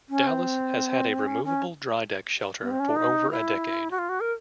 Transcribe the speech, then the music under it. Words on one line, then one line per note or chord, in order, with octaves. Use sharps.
"Dallas" has had a removable Dry Deck Shelter for over a decade.
C#4
C4
C#4
C#4
B3
C4
C#4
D4
D#4
E4
F#4
F4
F#4
A#4